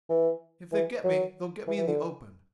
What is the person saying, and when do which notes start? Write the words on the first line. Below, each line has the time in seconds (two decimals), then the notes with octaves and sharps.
If they get me, they'll get me in the open.
0.10 E3
0.72 E3
1.04 F#3
1.68 E3
1.78 E3
1.87 D3